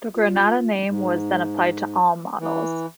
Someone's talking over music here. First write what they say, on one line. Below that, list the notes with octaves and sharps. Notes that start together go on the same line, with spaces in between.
The Granada name was then applied to all models.
F4
G#2
E3